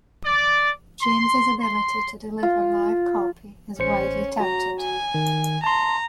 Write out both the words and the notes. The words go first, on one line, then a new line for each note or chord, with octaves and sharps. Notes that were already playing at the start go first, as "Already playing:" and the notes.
James' ability to deliver live copy is widely touted.
D5
C6
C6
F4
A1 C#4 C5 C#7
F#4 A#5
G#5
D#3
A5 A#5 C6